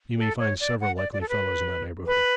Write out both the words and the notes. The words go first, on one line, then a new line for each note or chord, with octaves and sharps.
You may find several likely fellows in that neighbourhood.'
A4
C#5
D5
F#5
D5
D5
A4
B4
B4